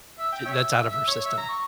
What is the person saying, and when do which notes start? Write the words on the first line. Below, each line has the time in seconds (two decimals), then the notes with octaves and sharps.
and that's out of her system.
0.19 E5
0.33 G5
0.46 C#5 E5
0.90 E5
1.08 C#5
1.25 E5
1.37 A#5
1.48 C#6